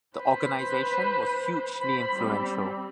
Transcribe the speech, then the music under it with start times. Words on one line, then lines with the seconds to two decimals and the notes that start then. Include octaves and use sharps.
The organization was hugely influential.
0.17 B4 C5
1.78 C5 B5
2.15 G3 C4